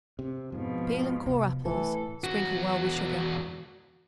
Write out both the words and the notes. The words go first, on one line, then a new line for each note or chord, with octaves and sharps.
Peel and core apples; sprinkle well with sugar.
C3
F2 G#2 B2 F3
C3
A2 E3 B3 A4
E2 F#4